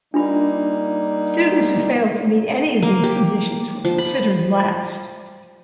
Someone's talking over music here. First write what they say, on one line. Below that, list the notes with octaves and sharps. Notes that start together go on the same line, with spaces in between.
Students who failed to meet any of these conditions were considered last.
G3 A#3 D4 D#4 F4 B5
A#3
G4
F3
B5